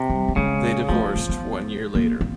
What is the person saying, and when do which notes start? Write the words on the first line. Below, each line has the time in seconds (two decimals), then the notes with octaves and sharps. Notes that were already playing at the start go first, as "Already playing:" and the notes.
They divorced one year later.
Already playing: C3
0.10 G3
0.28 G3
0.36 C#3 G#3
0.89 F3 A3
1.16 C4
1.29 B3
1.95 A#3
2.21 C4